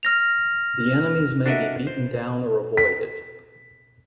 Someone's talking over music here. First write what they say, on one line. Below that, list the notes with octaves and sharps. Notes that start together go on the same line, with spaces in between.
The enemies may be beaten down or avoided.
F6 A#6 F7
D4 F#4 A4 A#4 D#5 E5
C5
B6